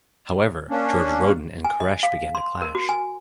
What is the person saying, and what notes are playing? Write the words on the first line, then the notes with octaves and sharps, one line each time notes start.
However, George Roden and Koresh began to clash.
A#3 C#4 D4
G#5
D#5
F5
C6
A#4
F#4
G#5